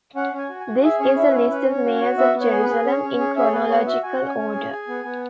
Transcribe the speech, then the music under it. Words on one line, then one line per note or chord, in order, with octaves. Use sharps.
This is a "list of mayors of Jerusalem" in chronological order.
C#4 F#5
C#4
G#5
F#4
G#5
F#4
G#4 E5
C#4 C#5
E4 E5
B4
C#4 C#5
C#4 B4
C#4 C#5
F#4
C#5
F#4
B3 E5
B3
C#5
G#4
B4
G#4
C#4 C#5
C#4
G#4
G#4 E5
C#5
B3 B4
B3 C#5
F#4 E5
F#4 G#5
F#5
C#4
G#5
C#4
G#4
G#4
B3
B3